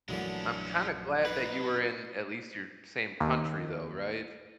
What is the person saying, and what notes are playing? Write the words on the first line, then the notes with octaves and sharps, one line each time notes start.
I'm kinda glad that you were in, at least your same country, though, right?
A#1 F#2 D3 E3 F#3 G#3 A3 C#4
F#2 D#4 B4
D#2